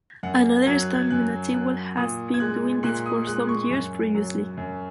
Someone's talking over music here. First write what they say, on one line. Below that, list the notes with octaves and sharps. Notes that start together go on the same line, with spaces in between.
Another establishment at Chigwell has been doing this for some years previously.
F#2 F#5
F#3 G#6
F#6
G#6
F#2 F#6
F#3 F#6
A#2 D#6
G#6
G#3 F#6
A#2 F#6
D#6
G#3 F#6
C#6
F#2
F#3
F#2